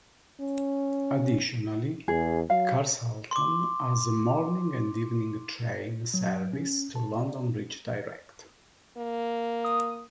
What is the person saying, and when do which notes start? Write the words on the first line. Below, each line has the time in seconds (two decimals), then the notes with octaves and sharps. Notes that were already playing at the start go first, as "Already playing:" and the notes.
Additionally Carshalton has morning and evening train service to London Bridge direct.
0.41 C#4
2.08 E2 G#4
2.50 F#3 F5
3.31 C6 D6
6.14 F#3
6.53 C#4
6.95 A5
7.17 D5
8.98 A#3
9.64 D#6